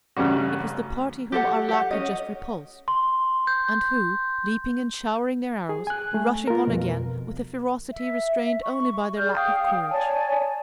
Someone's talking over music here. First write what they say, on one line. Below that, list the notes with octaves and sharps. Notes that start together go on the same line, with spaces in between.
It was the party whom Arlac had just repulsed, and who, leaping and showering their arrows, were rushing on again with a ferocity restrained only by their lack of courage.
A1 G2 C#3 G3 F#4
G4 A4 F#5
G4 F#5
C#4 D#5
C6
G6
G#4
G#5 F#6
A3
F4 A#4
F2 B2
E5
C#6
G#4 D5 F6 G6
F5 G5 D#6
C#5 D5 G#5 A5